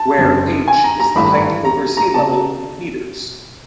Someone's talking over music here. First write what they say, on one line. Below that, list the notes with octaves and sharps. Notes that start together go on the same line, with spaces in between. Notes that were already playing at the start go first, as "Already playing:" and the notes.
Where "h" is the height over sea level in meters.
Already playing: A5
F#1 F#2 D3
G#5
A#5
A#5
G#1 G2 E3 A3 B5
A#5
A#5
C#3 A5